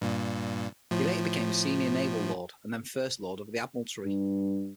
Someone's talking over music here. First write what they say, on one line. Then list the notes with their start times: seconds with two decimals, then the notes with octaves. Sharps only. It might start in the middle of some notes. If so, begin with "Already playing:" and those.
He later became Senior Naval Lord and then First Lord of the Admiralty.
0.02 G2 A#2
0.91 A2 F3
4.05 G2